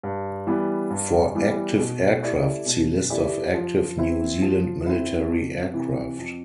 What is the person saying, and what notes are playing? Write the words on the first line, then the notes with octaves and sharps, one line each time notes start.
For active aircraft see List of active New Zealand military aircraft.
G2
E3 G3 B3
G2
E3 G3 B3
B2
A3 E4 G4 D5
B2
A3 E4 G4 D5
F3
C4 E4
F3
C4 E4
F2
C3 E3
F2